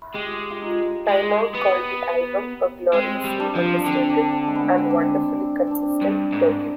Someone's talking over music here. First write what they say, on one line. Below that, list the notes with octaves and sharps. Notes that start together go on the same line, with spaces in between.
"Time Out" called the album a "gloriously understated and wonderfully consistent debut".
G#3 G4
F4
D#4
G#3
B3
G#3 C4
G3
D4
F3
D4
D3 C4
D4
C4
G#3
B3
C4
D4
C4
C4 D4
G2
G#2